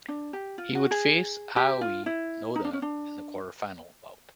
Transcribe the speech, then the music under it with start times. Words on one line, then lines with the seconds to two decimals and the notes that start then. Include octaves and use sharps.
He would face Aoi Noda in the quarterfinal bout.
0.09 D4
0.33 G4
0.58 F4
0.75 F#4
0.91 G#4
1.56 G4
1.81 F4
2.06 E4
2.56 D#4
2.65 D4
2.73 C#4
2.82 D4